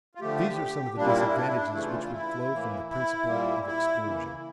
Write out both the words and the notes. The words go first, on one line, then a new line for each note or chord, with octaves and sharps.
These are some of the disadvantages which would flow from the principle of exclusion.
F4
D3 F3 A3 G4
A#2 G3 A#3 D4
E4
D4
E4
D4
E4
D4
C#3 E3 A3 E4
F4
F4
E4
A2 E3 A#3
E4
A#2 G3 A#3
E4
C#3 E3 A#3